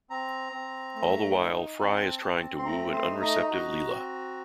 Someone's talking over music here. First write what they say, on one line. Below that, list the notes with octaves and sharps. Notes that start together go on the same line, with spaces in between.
All the while, Fry is trying to woo an unreceptive Leela.
C4 A#5
C4
A3
D#4
C4 A5
C4
C6
A3 A#5
C6
D#4
A#5
F#4 A#5
C4